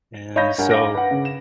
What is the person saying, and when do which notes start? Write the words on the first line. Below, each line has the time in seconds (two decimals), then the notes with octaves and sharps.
and so
0.36 C#5 D#5 F5 B5 G6 A#6
0.58 G2 A#4 F#5 G#5
0.70 F5 D6 A#6 D7
0.95 B4 F#5
1.11 C#3
1.25 E7